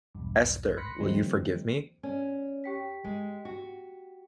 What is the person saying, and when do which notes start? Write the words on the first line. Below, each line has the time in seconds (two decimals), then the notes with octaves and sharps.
Esther, will you forgive me?
0.15 B1 E2 G2
0.77 B5 C6 F#6 A#6 B6 C#7
1.00 D3 E3 F#3 G#3 A#3 C4
2.03 C#4 D5
2.64 G4 G5 B6
3.04 G#3
3.45 F#4